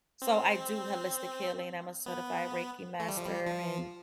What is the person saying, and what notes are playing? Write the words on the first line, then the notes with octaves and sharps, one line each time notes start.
So, I do holistic healing. I'm a certified Reiki master and
C4
B3
A3
G3
F3
G3
F3